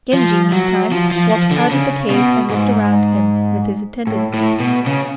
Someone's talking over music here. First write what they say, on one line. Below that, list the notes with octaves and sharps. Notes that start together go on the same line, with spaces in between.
Genji, meantime, walked out of the cave and looked around him with his attendants.
F3
F#3
F3
F3
F3
D3
C#3
B2
G#2
A2
A2
B2
C#3